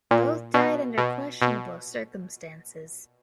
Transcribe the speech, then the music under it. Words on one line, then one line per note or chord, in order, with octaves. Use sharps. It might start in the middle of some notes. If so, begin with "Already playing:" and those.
Both died under questionable circumstances.
A#2
B2
B2
B2